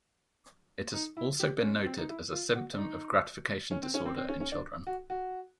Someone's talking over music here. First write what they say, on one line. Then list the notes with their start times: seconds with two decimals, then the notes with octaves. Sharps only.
It has also been noted as a symptom of gratification disorder in children.
0.94 D#4
1.17 E4
1.40 G4
1.63 C#4
1.86 C4
1.98 D#4
2.09 E4
2.32 F4
2.55 F#4
2.73 D4
2.78 D#4
3.71 C#4
3.83 C4
3.94 C#4
4.06 C4
4.17 C4
4.29 C#4
4.40 C#4
4.52 D4
4.87 F#4
5.10 F#4